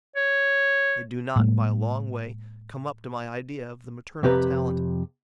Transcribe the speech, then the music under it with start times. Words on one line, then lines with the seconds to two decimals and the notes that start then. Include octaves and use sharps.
They do not by a long way come up to my idea of the maternal talent.
0.16 C#5
1.36 A2 F#3 G#3 A#3
4.23 F2 C3 G4 B4 A#5